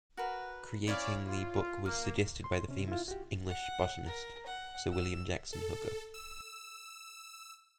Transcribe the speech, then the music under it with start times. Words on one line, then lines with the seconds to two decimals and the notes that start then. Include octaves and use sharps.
Creating the book was suggested by the famous English botanist Sir William Jackson Hooker.
0.17 F#4 A#4 B4
0.88 C#4 E4 C#5 D5 F5
1.25 F4
1.86 A#3 F5
2.44 C6
2.68 C3 C#4
2.88 E4 F4
3.08 F#4 G4
3.49 F#5
4.06 A#4
4.46 F#5
4.92 E6
5.53 A4
6.14 E6